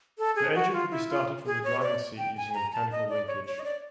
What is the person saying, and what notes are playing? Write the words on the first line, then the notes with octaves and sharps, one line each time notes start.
The engine could be started from the driving seat using a mechanical linkage.
A4
G#4
F#4
F4
E4
F4
G#4
C#5
D5
G5
G#5
A#5
A5
D#5
D5
C#5
C#5
D#5
D5